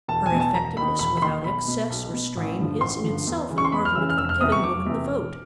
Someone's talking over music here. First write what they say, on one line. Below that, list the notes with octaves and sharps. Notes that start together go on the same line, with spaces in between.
Her effectiveness without excess or strain is in itself an argument for giving woman the vote.
E1 A5
G#5
E2 B2
A5
E1 A#5
D#2 D#3 B5
E1 B5
B5
D#2 D#3 C6
B1 B5
B2
B1
B2
A1
G2 D3 F3
A1 C6
G2 D3 F3
E2
C#3 E3
C#6
C6
E2 B5
F6
C#3 E3 E6
F6
F1 E6
F6
E2 C3 D#6
C#6
F1 D6
E2 C3
E1